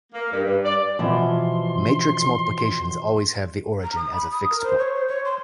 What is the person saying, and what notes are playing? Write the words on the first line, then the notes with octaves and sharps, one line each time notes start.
Matrix multiplications "always" have the origin as a fixed point.
A#3
G2
G2
D5
B2 E3 F3 C6
A#5
D#6
B5
D#6
A#4
C5
C#5
C5
C#5
C6